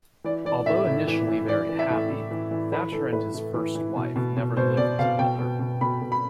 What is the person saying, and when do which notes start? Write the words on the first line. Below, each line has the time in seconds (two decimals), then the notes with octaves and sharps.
Although initially very happy, Thatcher and his first wife never lived together.
0.24 E3 D5
0.45 E3 D5
0.66 A2 E5
0.87 A2
1.07 E3
1.28 E3
1.49 E3 D5
1.69 E3
1.79 E5
1.90 A2
2.10 A2
2.31 E3
2.51 E3
2.72 E3 B4
2.92 E3 A4
3.13 A2 B4
3.34 A2
3.54 E3
3.75 E3
3.96 B2
4.16 B2
4.37 B2
4.57 B2 C5
4.77 B2 D5
4.99 B2 F5
5.19 B2 G5
5.39 B2
5.60 B2
5.81 B2 B5
6.01 B2
6.12 B5